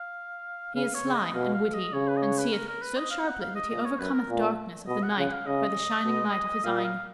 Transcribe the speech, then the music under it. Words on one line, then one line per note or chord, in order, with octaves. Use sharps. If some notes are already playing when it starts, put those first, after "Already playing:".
He is slye and wittie, and seeth so sharpely that he overcommeth darkness of the nighte by the shyninge lyghte of his eyne.
Already playing: F5
C#3 F5
C#5
C#3
D#5
B2 F5
F5
D#5
C#3 C#5
B4
D#5
C#5
B4
A#4
A#4
B4
D#5
F5
F#5
F5
D#5
A#2 D#5
C#5
F#2 B4
A#4
A#2
B2 D#5
F#5
C#3 F#5
F5
C#3 D#5
B2
A#2 F5
D#5
F5